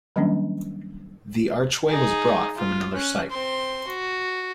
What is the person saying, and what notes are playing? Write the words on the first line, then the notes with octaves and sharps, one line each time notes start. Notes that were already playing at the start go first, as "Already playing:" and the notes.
The archway was brought from another site.
D#3 F#3 G3 A#3 C#4 D4
D#4 G#4
F4
C#4 F#6
C4 C6
F#4